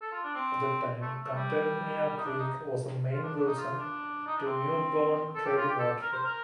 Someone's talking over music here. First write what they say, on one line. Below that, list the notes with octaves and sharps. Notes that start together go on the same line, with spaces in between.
At the time, Contentnea Creek was a main Wilson to New Bern trading artery.
A4
F4
D4
C4
A3
A3
G3
D#4
D4
D#4
F4
D4
D4
D#4
F4
D4
D#4
D4
C4
A4
G4
F4
G4
A4
A#4
C5
A#4